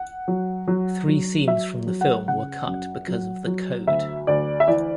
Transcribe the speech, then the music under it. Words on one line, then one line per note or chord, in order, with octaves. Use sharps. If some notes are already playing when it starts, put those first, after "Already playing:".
Three scenes from the film were cut because of the Code.
Already playing: F#5
F#3
F#3
F#3
F#3 E5
F#3
F#5
C#3 F#5
F#2
F#3
F#3
D2 E5
D2 D5
E5
E3 D5